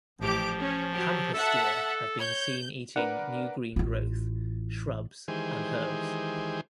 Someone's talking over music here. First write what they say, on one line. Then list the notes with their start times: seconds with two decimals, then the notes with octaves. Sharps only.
Pampas deer have been seen eating new green growth, shrubs, and herbs.
0.21 A1 F3 G4 D6
0.59 C#4
0.94 F#3 G4
1.34 A4 E5 F#5 A5
2.20 C#5 G6
2.96 D4 A#4 B4 F#5
3.76 A1 F4
5.28 D#3 E3 G#3 G4 G#4 C5